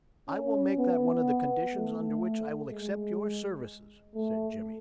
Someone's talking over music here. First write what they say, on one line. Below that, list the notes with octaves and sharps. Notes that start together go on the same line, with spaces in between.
"I will make that one of the conditions under which I will accept your services," said Jimmy.
C#4
B3
A3
G#3
A3